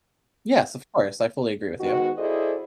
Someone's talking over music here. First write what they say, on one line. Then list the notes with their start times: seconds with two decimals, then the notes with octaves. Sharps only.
Yes, of course, I fully agree with you.
1.80 G#2 D#3 B3 F#4
2.18 E4 G#4 A4 C5 D5 D#5